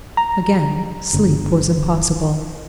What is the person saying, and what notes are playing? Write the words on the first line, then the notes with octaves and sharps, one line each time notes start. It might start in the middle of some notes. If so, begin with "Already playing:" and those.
Again sleep was impossible.
A#5
G1